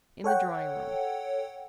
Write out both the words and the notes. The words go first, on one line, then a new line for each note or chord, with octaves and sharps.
In the drawing-room.
A4 C#5 F#5 G5